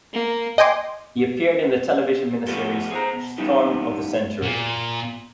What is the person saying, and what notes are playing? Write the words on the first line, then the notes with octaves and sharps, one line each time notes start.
He appeared in the television miniseries "Storm of the Century".
A#3
D#5 G5 G#5 C6 D6
F3 A3 B3 F4 G4 A4
G#4 C5 A#5
B2
E3 G3 B3 D#4 G4
A#2